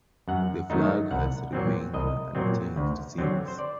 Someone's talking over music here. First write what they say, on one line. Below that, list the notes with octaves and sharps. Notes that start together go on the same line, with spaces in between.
The flag has remained unchanged since.
F#2 F#5
D#3 F#3 A3 D#4
C2 F#5
A#2 F#3 C4
C2 D#5
A#2 F#3 C4
D2
D3 F#3 C4
C5
D5